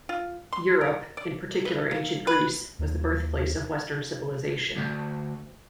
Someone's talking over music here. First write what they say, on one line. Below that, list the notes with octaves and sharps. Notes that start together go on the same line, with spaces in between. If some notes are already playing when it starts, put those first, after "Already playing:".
Europe, in particular ancient Greece, was the birthplace of Western civilization.
F4
C6
A#4
D5
B4
A#3
B4
D#2
D2